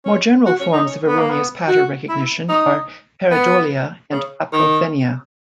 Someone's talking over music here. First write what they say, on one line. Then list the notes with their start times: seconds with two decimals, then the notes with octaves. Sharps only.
More general forms of erroneous pattern recognition are "pareidolia" and "apophenia".
0.05 C#4
0.46 F#4
0.60 C#4
0.73 D#4
0.86 C#4
1.07 B3
1.18 A#3
1.30 B3
1.68 F#4
2.09 E4
2.49 D#4
3.31 B3
4.12 C#3
4.53 D#3